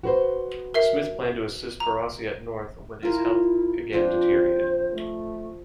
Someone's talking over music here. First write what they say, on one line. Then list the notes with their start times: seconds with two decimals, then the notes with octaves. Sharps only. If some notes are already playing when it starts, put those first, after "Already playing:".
Smith planned to assist Barassi at North when his health again deteriorated.
0.03 F#4 B4 C5
0.74 A#4 E5 C7
1.80 A#5
3.03 E4 F4 A#4
3.93 F3 C4 D4 C5
4.94 A3